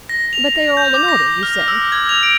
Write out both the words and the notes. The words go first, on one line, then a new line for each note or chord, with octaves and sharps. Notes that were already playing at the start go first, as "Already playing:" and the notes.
"But they are all in order, you say?"
A#6
F7
G6
D6
A#6
F6
E6
G#6
F7
D7